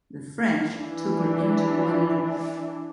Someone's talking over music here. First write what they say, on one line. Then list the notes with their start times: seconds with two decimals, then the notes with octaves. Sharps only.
The French took her into Guadeloupe.
0.72 E3 D4